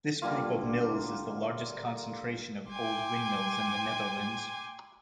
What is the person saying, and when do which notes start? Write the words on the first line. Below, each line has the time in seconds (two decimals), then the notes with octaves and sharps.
This group of mills is the largest concentration of old windmills in the Netherlands.
0.22 D3 G3 A#3 F4
2.69 G5 G#5 C6 D6